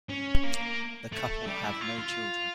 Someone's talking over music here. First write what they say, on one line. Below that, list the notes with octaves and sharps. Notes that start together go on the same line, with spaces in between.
The couple have no children.
C#4
A#3
A3
G3
E4
F4
F4